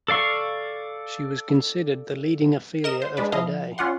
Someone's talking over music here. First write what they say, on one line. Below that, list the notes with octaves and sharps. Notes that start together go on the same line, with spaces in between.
She was considered the leading Ophelia of her day.
A4 D5 F5 C#6
A#4 D#5 E7
C5
G#3 D4 B4
F3 E4 D#5 F5
C#4 F4 D5 F#5 C6